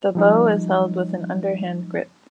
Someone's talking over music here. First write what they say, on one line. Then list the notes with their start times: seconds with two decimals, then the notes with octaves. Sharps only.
The bow is held with an underhand grip.
0.15 F3 G3 D#4